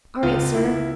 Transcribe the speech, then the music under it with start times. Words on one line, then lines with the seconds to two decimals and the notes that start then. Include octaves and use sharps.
'All right, Sir.
0.23 C#2 F4
0.54 C#2 E4